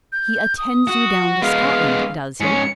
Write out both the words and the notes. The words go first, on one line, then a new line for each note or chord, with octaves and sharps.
He attends you down to Scotland;--does he?
G6
D#6
F#4
G#3 B3 F5
G#2 C#4 C#7